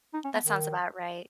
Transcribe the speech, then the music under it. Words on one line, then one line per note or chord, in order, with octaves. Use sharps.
That sounds about right.
D#4
C#4
B3
D#3